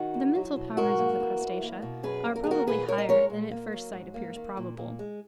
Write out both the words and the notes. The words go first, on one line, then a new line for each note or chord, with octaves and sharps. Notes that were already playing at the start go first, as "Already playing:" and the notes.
The mental powers of the Crustacea are probably higher than at first sight appears probable.
Already playing: D#3 D#4 F#4
E2
F#3
B2
G#2 F#4 A#4
A#3
E3
E2
A#3
B2
F#2 G#4 B4
A#3
A#4
G#4
D#3 F#4 A#4
A#2 G#4 B4
A#2 A#4 C#5
D#5
G#3 A#4 C#5
A#2
A#3
F#3
G#2
A#3
D#3
A#2
A#2
G#3